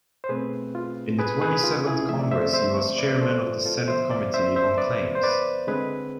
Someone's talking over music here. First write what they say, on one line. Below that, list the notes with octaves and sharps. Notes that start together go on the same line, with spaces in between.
In the Twenty-seventh Congress he was chairman of the Senate Committee on Claims.
C5
B2 A3 C4 G#4 B4
F4
G#4 B4
G#4 B4
F4
E4 G#4
D3 F3 A3 C4 E5
D5
C5 E5
C5 E5
B4 D5
A4 C5
F4
F4 A4
D3 F3 B3 C5 E5
D5 F5
C5 E5
C5 E5
B4 D5
C5
B4 D5
D3 G#3 C4 G#4 B4